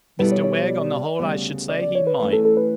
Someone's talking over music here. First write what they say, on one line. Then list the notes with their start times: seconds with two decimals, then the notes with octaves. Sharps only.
'Mr Wegg, on the whole I should say he might.'
0.19 B2 G3 B3 E4 A4 B4
0.32 C#5
0.44 C#5
0.56 C#5
0.68 D5
1.19 D2 C#3 G3 B3
1.69 D5
1.82 D5
1.95 C#5
2.07 B4
2.20 E3 A3 C#4 B4
2.33 A4
2.45 A4
2.57 B4